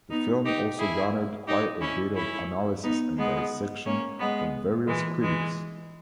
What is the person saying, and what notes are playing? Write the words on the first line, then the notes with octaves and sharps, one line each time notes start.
The film also garnered quite a bit of analysis and dissection from various critics.
B3 D#4
D#4 G4
E4 G#4
D#4 G4
C#4 E4
C#4 E4
B3 D#4
G#3 B3
A#3 C#4
G#3 B3
E3 G#3
E3 G#3